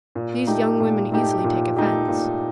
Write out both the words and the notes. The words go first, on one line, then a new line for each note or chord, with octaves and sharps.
These young women easily take offense.
A#2
A3 D#4 G4
A#2
A3 D#4 G4
A#2
A3 D#4 G4
A#2